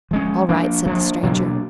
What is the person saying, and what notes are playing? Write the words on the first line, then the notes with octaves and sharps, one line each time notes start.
"All right," said the stranger.
F3 G#3 C#4
F3 A#3 D4
F3 A#3 D4
B2 F#3 A#3 D4